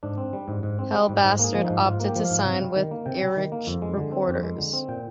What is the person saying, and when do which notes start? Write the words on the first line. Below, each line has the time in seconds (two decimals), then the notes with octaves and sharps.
Hellbastard opted to sign with Earache Records.
0.03 G#2 D4
0.17 C4
0.33 G3
0.48 G#2
0.63 G#2
0.79 C4
0.94 G3
1.09 G#2
1.23 G#2 G#4
1.39 A#3 G#4
1.55 F3
1.65 D#4
1.70 G#2
1.84 G#2 F4
2.00 A#3
2.05 G4
2.15 F3
2.25 F5
2.30 G#2
2.45 C3
2.61 G3
2.76 D#3
2.91 A#3
3.06 C3 G5
3.21 G3
3.36 D#3
3.52 A#3
3.67 F2
3.82 G#3
3.97 D3
4.12 C4
4.28 F2
4.43 G#3
4.58 D3
4.73 C4
4.88 A#2 G5